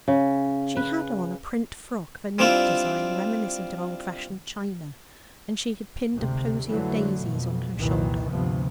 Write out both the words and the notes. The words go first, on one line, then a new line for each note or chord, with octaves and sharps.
She had on a print frock of a neat design reminiscent of old-fashioned china, and she had pinned a posy of daisies on her shoulder.
C#3
B4
G3 C4 D4 E4 F4
D2 G#2 C3
F2 D3 E3 F#3 A3
F2 B2
C2 F2 A#2 D#3 E3
D2 G2 C3 F3 B3